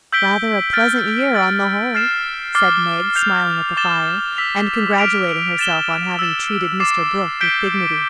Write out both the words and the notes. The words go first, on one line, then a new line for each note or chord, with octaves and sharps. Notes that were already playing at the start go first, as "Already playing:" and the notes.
"Rather a pleasant year on the whole!" said Meg, smiling at the fire, and congratulating herself on having treated Mr. Brooke with dignity.
E6 G6 B6 D7 G7
F6 A6 D7
E6 A6 D7
F6 A6 C7 E7
D6 F6 A6 C7 G7
G6 C7 F7
D6 A6 E7 G7
E6 B6 F7
F6 B6 D7 F7
A6 E7 G7
E6 A6 E7
D6 A6 C7 E7
G6 B6 D7 G7